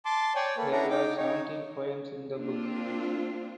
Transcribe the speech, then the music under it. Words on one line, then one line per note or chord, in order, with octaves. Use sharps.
There are seventeen "poems" in the book.
A5 C6 D6
C#5 D5 G5 G#5
A#3 A4 B4
D4 E4 A4 E5 F#5 A#5
D#4 G5 D6
D#4 C#5
A#3 C4 D4 F4